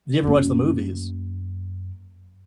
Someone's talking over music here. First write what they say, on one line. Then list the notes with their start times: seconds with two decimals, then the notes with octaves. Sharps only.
did you ever watch the movies?
0.23 F#2 A#3